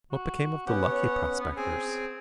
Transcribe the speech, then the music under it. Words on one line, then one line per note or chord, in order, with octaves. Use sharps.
What became of the lucky prospectors?
F#4
B3 C#4 G4 F#5
C#5
B3
C4 G#4 G#5